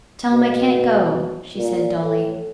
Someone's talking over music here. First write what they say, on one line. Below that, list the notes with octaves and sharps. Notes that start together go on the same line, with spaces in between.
"Tell him I can't go," she said dully.
B2
A#2
A2